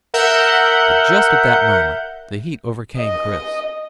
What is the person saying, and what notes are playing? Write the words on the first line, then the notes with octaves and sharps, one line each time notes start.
But just at that moment the heat overcame Chris.
A#4 E5 F#5 G6
D#5